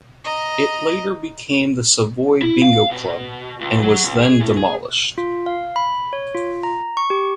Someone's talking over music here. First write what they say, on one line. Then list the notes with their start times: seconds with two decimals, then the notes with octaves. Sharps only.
It later became the Savoy Bingo Club and was then demolished.
0.24 D#5 A#5
2.42 E4
2.62 F5
2.91 B2
3.61 C#2
3.82 F#3
4.03 C#2
4.19 G#4
4.41 A2
4.57 G#4
5.18 F4
5.46 F5
5.76 B5
6.13 C#5
6.35 F4
6.63 A#5
6.97 C#6
7.10 G4